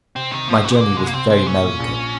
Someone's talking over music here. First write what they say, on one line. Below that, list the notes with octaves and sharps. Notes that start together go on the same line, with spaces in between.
My journey was very melancholy.
C3 C4
C3 D#3
A#2 F3
F#3 C#4
C4
C2 A#3
C2 G#3
A#3
C3 C4
C4 G#4
A#2 C#4
A#2
A#1